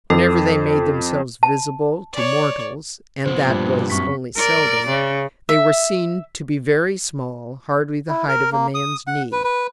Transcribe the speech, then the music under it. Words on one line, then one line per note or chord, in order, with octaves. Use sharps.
Whenever they made themselves visible to mortals--and that was only seldom--they were seen to be very small, hardly the height of a man's knee.
F2 A4
A5
C#5 D5
B2 F3 B3 C5
G2 A#2
F#2 C4 C#6 B6
A#4 D5
C#3
E5
E4
A#4
A#3
D#6
F#5
B4
B4